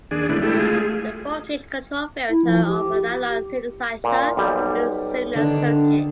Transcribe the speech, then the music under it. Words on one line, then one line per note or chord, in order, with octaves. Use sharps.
The voltage-controlled filter of an analog synthesizer is a similar circuit.
D#2 D4 G#4
C#3 G3 A3 B3 D4 E4
G#3 A3 E4 G4 A4
G#3 A3 F4 G#4
E4
F3
G4
A#2
B1 G3
D3 D#3 D4